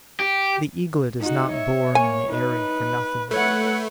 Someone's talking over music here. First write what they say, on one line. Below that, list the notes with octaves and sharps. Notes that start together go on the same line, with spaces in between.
The eaglet is not born in the eyrie for nothing.
G4
D#4 F#4
C#5 E5
A#3 C#5 G#5
D#4 B4
A3 B4 C#5 F#5